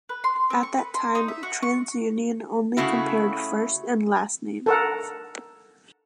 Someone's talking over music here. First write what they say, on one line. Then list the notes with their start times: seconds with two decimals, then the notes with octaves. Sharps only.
At that time, TransUnion only compared first and last names.
0.09 B4
0.24 C6
0.36 C6
0.50 C4
0.63 C#6
0.78 B4
0.94 C6
1.15 D#4
1.28 E5
1.43 F#4
1.63 C#6
2.77 C#3 A3 E4 F#4
4.66 A4 A#4 F#5